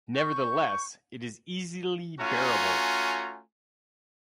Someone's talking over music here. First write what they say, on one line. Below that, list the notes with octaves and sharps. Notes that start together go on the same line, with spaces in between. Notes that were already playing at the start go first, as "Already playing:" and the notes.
Nevertheless, it is easily bearable.
C#6 G6
A3 C#4 F4 F#4 G#5 A#5